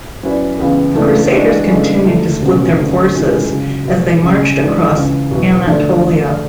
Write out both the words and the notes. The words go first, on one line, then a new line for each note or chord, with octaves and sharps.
The Crusaders continued to split their forces as they marched across Anatolia.
F#3 C#4 E4 B4 D5
C#2 C#3 E3 B3 E4
C#3 E3 A3 D4 A4
E3 G#3 D4 F#4
C#3 E3 G#3 D4 A4
D2 D3 A3
C#2 B2 A3 C#4 F#4
F#2 D3 A3 C#4 F#4
G#2 E3 G#3 C#4 E4
C#2 C#3 F#3
B2 G#3 B3 F#4
C#2 C#3 G#3 C#4
G#2 E3 G#3 D4 F#4
C#2 C#3 E3
E2 B2 F#3
D3 A3 D4 A4 D5